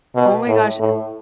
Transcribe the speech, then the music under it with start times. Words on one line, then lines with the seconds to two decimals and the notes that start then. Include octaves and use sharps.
Oh, my gosh, uh
0.15 B2
0.48 A2
0.80 A2